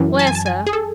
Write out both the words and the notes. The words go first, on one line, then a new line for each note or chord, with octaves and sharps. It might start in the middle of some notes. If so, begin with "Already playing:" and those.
"Where, sir?"
Already playing: F#2 E3
A5
G#5
A5
G#5
G#4
A4